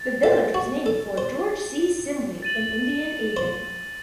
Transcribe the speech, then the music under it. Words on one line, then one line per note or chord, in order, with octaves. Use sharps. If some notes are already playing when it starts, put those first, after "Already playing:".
The village was named for George C. Sibley, an Indian agent.
Already playing: A6
A4
F#4
A4
C5
A6 D#7 F#7
C5